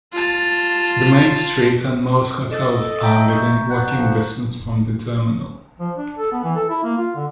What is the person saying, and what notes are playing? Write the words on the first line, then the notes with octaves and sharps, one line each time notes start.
The main street and most hotels are within walking distance from the terminal.
F4 A5
A4 D5 D#5 A6 E7
G5 A#5 A#6 B6
E5 C#6 G6
F#5 A5 F#6
D3 F3 E7
F3
D4
A4
B3
E3
A4
E4
A#3
F4
D3